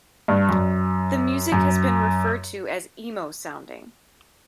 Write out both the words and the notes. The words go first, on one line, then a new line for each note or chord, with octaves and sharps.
The music has been referred to as Emo sounding.
G2
F#2
F#2